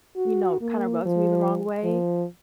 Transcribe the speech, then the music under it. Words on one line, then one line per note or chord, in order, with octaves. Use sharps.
you know, kinda rubs me the wrong way.
F#4
A#3
F3
F3